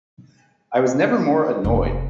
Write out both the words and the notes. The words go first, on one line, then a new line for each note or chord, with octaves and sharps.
I was never more annoyed!
F1